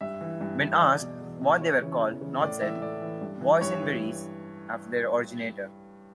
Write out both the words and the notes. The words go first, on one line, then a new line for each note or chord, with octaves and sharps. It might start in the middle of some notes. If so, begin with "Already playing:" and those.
When asked what they were called, Knott said, "Boysenberries," after their originator.
G2 E5
E3
G2
E3
E5
E2 D5
B2
E2
B2
E2 C#5
C#3 E3
E2
C#3 E3
A2 D5
E3 E5
A2 D5
E3
G2
E3
G2 C#5
E3